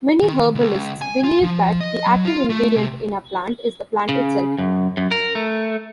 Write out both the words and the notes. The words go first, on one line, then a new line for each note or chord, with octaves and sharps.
Many herbalists believe that the active ingredient in a plant is the plant itself.
D#3
C#2
G#5
F4
F3
D#5
F#3
F4
A3
C3
C#3
F#2
F#2
A#4
A3